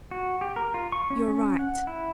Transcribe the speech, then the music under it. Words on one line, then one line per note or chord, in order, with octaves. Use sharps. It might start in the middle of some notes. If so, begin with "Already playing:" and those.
You're right!
F#4
G4
A#4
F4
C#6
C#4
C#4
F#5
E4